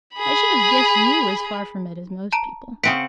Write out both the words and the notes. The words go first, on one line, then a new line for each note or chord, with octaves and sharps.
I should have guessed you as far from it as most people.
G#4 B5
A5 A#5 D7
C#3 C4 F#5 B6 D7